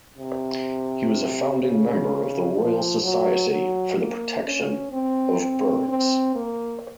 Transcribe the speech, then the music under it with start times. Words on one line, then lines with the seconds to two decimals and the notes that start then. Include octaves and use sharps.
He was a founding member of the Royal Society for the Protection of Birds.
0.17 C3
1.59 C#3
2.55 F3
3.02 F#3
3.50 F#3
3.98 A#3
4.45 C#4
4.92 C4
5.40 C4
5.88 C4
6.35 A#3